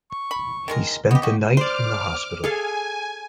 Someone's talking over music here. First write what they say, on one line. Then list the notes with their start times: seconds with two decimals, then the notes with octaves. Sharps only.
He spent the night in the hospital.
0.12 C#6
0.31 B5
0.68 D#3 G#3 A#4
1.11 B3 G4 D#5
1.22 F#4 G4
1.57 C5 D5 D6 F6
2.44 G#4 A4 F5 G#5